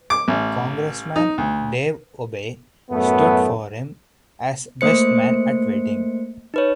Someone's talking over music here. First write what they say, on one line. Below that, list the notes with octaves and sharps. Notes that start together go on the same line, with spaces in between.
Congressman Dave Obey stood for him as best man at the wedding.
D6
A1
D#4
D2
F#2 A2 A3 B3
A3 A#3 C5 C#7
D#4 B4 C#5